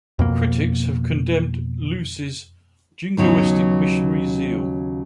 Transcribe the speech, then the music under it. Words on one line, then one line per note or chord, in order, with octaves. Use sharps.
Critics have condemned Luce's jingoistic missionary zeal.
F2 B2 A#3
D#2 C#3 F#3 B3